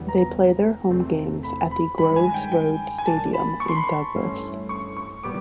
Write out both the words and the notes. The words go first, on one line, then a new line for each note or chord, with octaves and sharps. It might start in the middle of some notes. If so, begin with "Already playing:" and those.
They play their home games at the Groves Road stadium in Douglas.
Already playing: E2 C#3 E3 G3 B3
A#5
E2 C3 E3 A3 C4
B5
B5
G2 D#3 G#3 C#4 B5
G#5
G5
G5
G#5
B1 B2 G3 A#3 D4 A5
B5
C#6
C6
B5
C6
G2 E3 A3 C#4 E4
C#6
C#6
A#2 G3 B3 D6